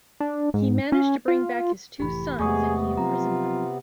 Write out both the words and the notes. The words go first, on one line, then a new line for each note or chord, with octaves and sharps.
He managed to bring back his two sons and he imprisoned them.
D4
G#2
C#4
F4
F1 A2 E3 G4 B5
E2 C3 G#3 A3 B3 G#4 C#6 D#6
F3 F#3 C4 F4 A#5